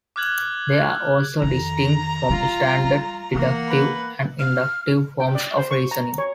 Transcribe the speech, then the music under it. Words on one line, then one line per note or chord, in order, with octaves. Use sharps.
They are also distinct from standard deductive and inductive forms of reasoning.
D6 F6 F#6 G#6 F#7
F2 D#3 A#5
G3 F4
G3
E3 A#3 F#5
B4
F6
G5
D5
C5
C#6
A#5
C#5